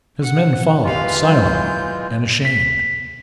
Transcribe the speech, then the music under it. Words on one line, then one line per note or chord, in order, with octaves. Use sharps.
His men followed, silent and ashamed.
F#5
E3 G#3 F4 G4 B4 F5
F#3 G6
B6